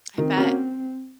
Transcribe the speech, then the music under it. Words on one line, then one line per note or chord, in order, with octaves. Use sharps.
I bet.
D#3 C4
A#3 C#4 F#4 A#4